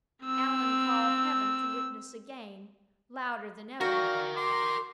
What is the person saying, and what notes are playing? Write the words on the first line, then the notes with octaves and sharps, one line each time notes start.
Allan called Heaven to witness again, louder than ever.
C4 E6
F#4 A#4 D5 F5 G5
C6 D6